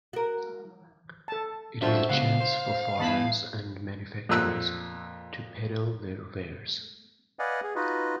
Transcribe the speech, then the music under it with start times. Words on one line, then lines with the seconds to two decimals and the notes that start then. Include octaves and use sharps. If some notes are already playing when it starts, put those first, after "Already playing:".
It is a chance for farmers and manufacturers to peddle their wares.
0.13 F#4 A#4
1.28 A4 A5
1.82 F#2 D4 F4 F#4 A4 C5 E5
2.10 C#3 G#3 B3 F5 F#5
2.40 C5
2.99 E2 B3 E4 D#5 A5 B5
4.29 F2 A#2 E6 F#6
7.39 B4 D5 D#5 F5 F#5 G#5
7.63 G#4
7.76 D#4 F4 F#4 B4 D#5